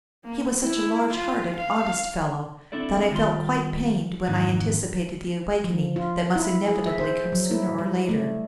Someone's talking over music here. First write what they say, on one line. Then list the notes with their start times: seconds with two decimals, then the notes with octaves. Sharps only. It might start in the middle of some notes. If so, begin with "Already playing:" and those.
He was such a large-hearted, honest fellow, that I felt quite pained when I anticipated the awakening that must inevitably come sooner or later.
0.24 A#3
0.59 E4
1.13 F4
1.57 F5
2.72 C4 D4 E4 A4 D5
3.11 D#3 G3 F4 C6
4.27 F2 G#2 D#3 E3
5.64 F3
5.96 F4
6.36 E4
6.68 G#4
6.86 E5
6.99 C5
7.32 F#3
7.51 E4
7.78 G3
8.09 A3